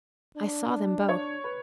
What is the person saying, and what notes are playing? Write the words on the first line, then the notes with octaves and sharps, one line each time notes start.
I saw them both.
D4
C#5
B4